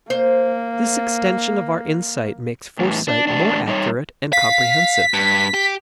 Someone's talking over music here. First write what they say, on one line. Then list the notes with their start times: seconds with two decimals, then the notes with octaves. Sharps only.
This extension of our insight makes foresight more accurate and comprehensive.
0.10 A#3 C5
2.79 E2 A2
3.08 D4
3.27 E2 A2 D4
3.67 G3 D#4 C5 C#5
4.33 F5 B6
5.14 G2
5.54 G4